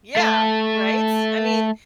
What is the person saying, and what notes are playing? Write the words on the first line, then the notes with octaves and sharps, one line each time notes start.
Yeah. Right? I mean,
A3 A4